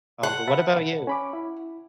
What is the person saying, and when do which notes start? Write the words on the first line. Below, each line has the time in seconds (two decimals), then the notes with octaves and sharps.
Um, but what about you?
0.23 F#5
0.48 B4 E5 A5
1.07 C#4 B5 D6
1.33 E4